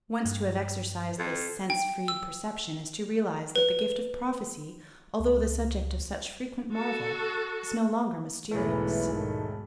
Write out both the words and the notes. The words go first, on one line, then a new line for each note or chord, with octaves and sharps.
Once to have exercised this sense-freed perception is to realize that the gift of prophecy, although the subject of such frequent marvel, is no longer mysterious.
G2
F2
G5
E6
B4
C#2
F#4 A4
E1 B1 G#2 E3 A3
D#3 A4